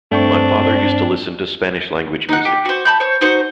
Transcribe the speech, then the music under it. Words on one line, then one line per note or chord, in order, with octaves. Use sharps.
My father used to listen to Spanish-language music.
G2 A3 C4 D4 G5 C#6
D#4 F#5
G4
F#4 C5
A5 B5 G6
C5 C#5
D#4 F#4 C5 C#6